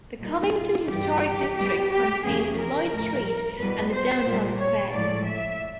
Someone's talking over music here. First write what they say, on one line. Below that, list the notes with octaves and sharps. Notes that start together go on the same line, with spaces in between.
The Covington Historic District contains Floyd Street and the downtown square.
A#2 G3 D#4
F4
G2 E3 G3 G4
G4
B2 G3 G4
G4
E2 C#3 F3 A3 G#4
A#4
A2 F3 A3
E2 B2 G3 B4
C5
A#2 G3
C#5
A2 F3 G#3 D5
E5